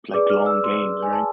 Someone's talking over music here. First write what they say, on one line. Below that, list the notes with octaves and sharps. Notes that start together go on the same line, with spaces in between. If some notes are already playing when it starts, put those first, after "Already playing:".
like, long games, right?
G#4 B4 D5 D6
F6
E6
C6
G#5
A5